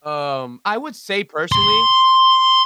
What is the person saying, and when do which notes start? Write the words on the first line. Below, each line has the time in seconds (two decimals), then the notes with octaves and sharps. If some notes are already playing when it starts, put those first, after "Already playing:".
Um, I would say, personally
1.52 C6